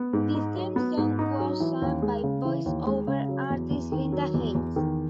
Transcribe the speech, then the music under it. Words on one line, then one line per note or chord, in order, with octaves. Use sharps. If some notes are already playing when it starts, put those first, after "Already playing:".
The theme song was sung by voice-over artist Lynda Hayes.
Already playing: B3
G#2
D#4
F#3
B3
G#2
D#4
F#3
E3
D#2
G#3
C#3
E3
D#2
G#3
C#3
F#3
E2
E2
D#3
F#3
E2
E2
D#3